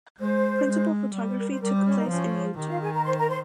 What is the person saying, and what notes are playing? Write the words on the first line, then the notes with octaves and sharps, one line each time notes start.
Principal photography took place in Utah.
G#3 C5
G#3
G3
C5
A#4
C5
G3 A#4
C5
C#4 C#5
D#4 D#5
C5
F3 C#4 C#5
D#3 G4
F4 F5
G#4 G#5
A#4 A#5
C5 C6
A#4 A#5
C5 C6